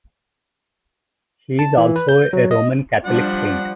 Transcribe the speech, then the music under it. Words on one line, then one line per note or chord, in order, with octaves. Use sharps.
She is also a Roman Catholic saint.
A5
E3
B4
G6
F#3
D#5
F3 G3 D4 F#5